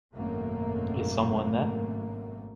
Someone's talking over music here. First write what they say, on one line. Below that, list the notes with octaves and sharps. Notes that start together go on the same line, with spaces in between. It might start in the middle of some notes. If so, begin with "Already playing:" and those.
Is someone there?
G#1 F#2 B2 A3 A#3